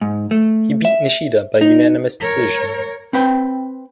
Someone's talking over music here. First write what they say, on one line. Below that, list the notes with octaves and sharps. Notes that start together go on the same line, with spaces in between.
He beat Nishida by unanimous decision.
G#2
A3
E5
D#4
A#4 C#5
C4 B4 G5